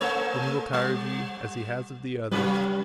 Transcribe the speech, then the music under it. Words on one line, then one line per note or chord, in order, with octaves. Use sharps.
Then he will tire of you as he has of the others.
A3 A#3 C#5
G3
C3 F#3 G3 B4